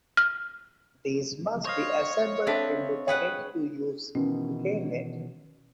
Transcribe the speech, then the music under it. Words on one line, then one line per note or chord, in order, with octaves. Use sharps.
These must be assembled into the ready-to-use grenade.
F6
C5 C#5 D#5 F5
C4 D4 A4 B4 E5 B6
G#4 B4 F#5 G5 F#6
B2 D#3 E3 C#4